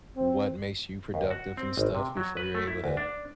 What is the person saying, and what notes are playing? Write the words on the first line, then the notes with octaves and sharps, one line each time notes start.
what makes you productive and stuff before you're able to,
C4
D#2
F#4
C4
G#1
C3
F#3
B4
A3
E4
D2
D4